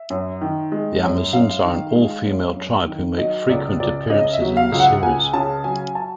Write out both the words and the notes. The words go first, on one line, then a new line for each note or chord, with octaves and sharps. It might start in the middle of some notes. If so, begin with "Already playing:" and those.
The Amazons are an all-female tribe who make frequent appearances in the series.
Already playing: E5
F#2
D#3
G#3
F#2
F#2 F5
D#3
G#3
F#2
F#2
D#3
F#3 D#5
C#2 D5
C#2 D5
C#3 D#5
E5
F#3
F5
C#2
F#5
C#2 G#5
C#3 A5
F#3 G#5
A5